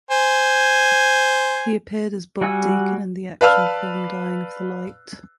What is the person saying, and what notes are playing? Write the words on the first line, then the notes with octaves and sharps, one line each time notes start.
He appeared as Bob Deacon in the action film "Dying of the Light".
C5 G#5
G3 F#4 F#5 G#5 E6
B4 D5 F5 A5 E6 F6